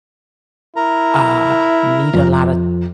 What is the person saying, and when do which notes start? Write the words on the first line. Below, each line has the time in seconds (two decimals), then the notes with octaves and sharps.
uh, meet a lot of
0.76 E4 A#4 A#5
2.14 F2